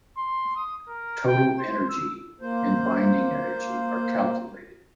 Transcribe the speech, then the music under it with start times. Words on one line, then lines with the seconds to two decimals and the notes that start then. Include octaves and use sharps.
Total energy and binding energy are calculated.
0.17 C6
0.56 D#6
0.88 A#4
1.27 G5
1.58 C5
1.89 E6
2.41 A#3 C5